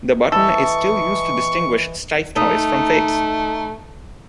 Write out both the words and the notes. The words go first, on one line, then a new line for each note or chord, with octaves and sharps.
The button is still used to distinguish Steiff toys from fakes.
E3 A4 D#5 C#6
A3 D#4